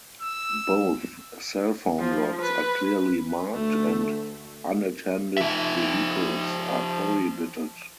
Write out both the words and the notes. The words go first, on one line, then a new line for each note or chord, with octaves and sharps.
Both cell phone lots are clearly marked and unattended vehicles are prohibited.
E6
F3
B4
D2 A3
F3 E5